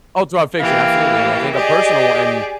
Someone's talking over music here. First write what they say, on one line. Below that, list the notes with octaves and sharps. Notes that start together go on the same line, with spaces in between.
All throughout fiction, absolutely. And I think a personal one
E3 A#3 G4 F5
G4 G#4 D5 D#5